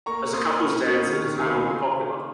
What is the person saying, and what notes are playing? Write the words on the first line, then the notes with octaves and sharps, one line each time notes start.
As a couple's dance, it is no longer popular.
A#3 A#5 C#6
A#3
C6 D#6
A#3
C#6 F6
C#4
A#3 D#6 F#6
D#3
C#6 F6
D#3
F5 G#5
A#3
C#3 G#5 C6